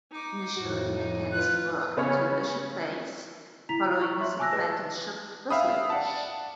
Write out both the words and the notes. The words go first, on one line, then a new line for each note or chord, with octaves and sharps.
Initially, Mackenzie worked on television plays, following his apprenticeship with Loach.
D#4 D6
F2 A2 F#4
D#4
F4 B4 F#6
C#3 B3 C#4 G#4 C#5 F6
E4 A#5 B6 F7
F5
C#6 F#6
C#5 E5 C6
G#5 A5 D6 E6 F#6 A#6
G#4 B4 D#5 A5
E5 F5 G5 B5 D#6
D5 F#5 A5